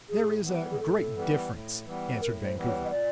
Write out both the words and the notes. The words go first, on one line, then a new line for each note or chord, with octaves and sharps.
"There is a great difference," answered Vancouver.
A2 G#4
E3 G3 B3
G#4
A2 A4
E3 G3 B3
A2
E3 G3 B3
A2 A#4
C5
E3 G3 B3
C#5
D#5
A#2 D5